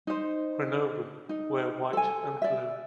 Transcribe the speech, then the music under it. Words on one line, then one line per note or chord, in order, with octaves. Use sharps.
Grenoble wear white and blue.
D#4 C5
D#4
A4 G#5
D5 E5